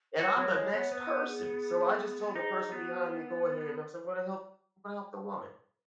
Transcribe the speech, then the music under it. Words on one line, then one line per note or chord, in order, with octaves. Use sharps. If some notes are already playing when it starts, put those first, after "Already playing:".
and I'm the next person so I just told the person behind me go ahead no, so I'm gonna help I'm gonna help the woman.
F#4 C#5
F#3 C#5
G#3 C#5
B3 C#5
B3 B4
F#4
G#4
D#4 G#4
B3 F#4
D#4